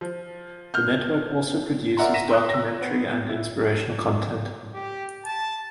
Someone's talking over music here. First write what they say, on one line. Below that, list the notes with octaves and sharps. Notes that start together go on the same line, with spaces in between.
The network also produces documentary and inspirational content.
F3
F6 G6
A#4 D5 E5 F#5 A#5 C6
A#6 B6 D#7 E7
G5 A#5 C6 C#6 D#6 F#6
E6 A#6
B3
E4
G4
A5